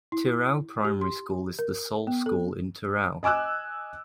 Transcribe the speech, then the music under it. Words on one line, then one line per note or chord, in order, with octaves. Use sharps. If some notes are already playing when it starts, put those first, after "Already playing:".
Tirau Primary School is the sole school in Tirau.
E4
G4
C6
A#4
B3
A4
D#5 G#5 D6 E6 F#6